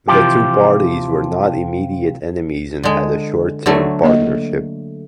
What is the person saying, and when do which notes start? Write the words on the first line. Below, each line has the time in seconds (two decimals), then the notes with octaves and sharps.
The two parties were not immediate enemies and had short-term partnership.
0.07 C3 E3 F3 F4 G4
2.84 D3 G#3
3.66 D3 F#3 A3
4.04 A#3 D#5